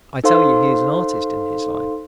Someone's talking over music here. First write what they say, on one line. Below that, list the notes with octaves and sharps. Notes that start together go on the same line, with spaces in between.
I tell you he is an artist in his line.
D#4 A4 C5 F5 C6